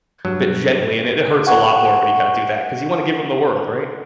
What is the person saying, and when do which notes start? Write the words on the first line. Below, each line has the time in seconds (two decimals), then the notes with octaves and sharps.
a bit gently, and it it hurts a lot more when you gotta do that, 'cause you wanna give them the world, right?
0.25 G2 F#3
1.47 F#5 G#5 C#6